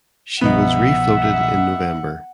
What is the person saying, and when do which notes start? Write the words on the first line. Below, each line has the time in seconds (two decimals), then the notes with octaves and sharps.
She was refloated in November.
0.41 C2 B2 F3 B3 D#4 E5 F#5